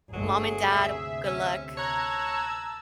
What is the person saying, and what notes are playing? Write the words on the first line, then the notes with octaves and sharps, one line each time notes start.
"Mom and dad, good luck,"
G1 F#3 G#3 A3 G#4
D2 C3 E5
C#4
C#5 A5 A#5 E6 F#6 G#6